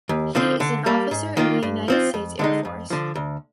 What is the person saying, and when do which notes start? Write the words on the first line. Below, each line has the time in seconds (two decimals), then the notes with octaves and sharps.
He is an officer in the United States Air Force.
0.09 D#2
0.35 D3 F3 C4
0.60 D3
0.86 G3 A#3
1.11 G#2
1.37 D#3 A#3 F4
1.63 G2
1.88 F3 C4 F4
2.14 F2
2.39 D3 G#3 D#4
2.65 F2
2.90 D3 F3
3.15 D2